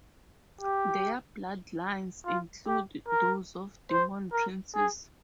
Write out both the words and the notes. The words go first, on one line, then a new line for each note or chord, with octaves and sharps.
Their bloodlines include those of demon princes.
G4
F4
G4
A#4
C5
A#4
G#4